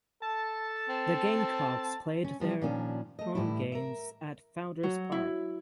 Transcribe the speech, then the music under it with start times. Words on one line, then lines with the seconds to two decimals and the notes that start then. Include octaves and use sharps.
The Gamecocks played their home games at Founders Park.
0.22 A4 A5
0.89 C4
2.24 C#4
2.40 C3 F3 G3 C4
2.62 A#2 D#3 F3 C#4 D4
3.19 A3 D#5
3.35 A2 E3 G3 E4
3.72 A#4 E5
4.83 F#3
5.12 E4